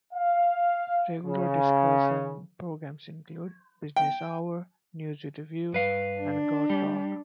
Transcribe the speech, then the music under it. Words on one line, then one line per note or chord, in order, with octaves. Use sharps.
Regular discussion programs include "Business Hour", "News With a View" and "God Talk".
F5
C#3
G5
G2 B4 F5
D4
G3 G4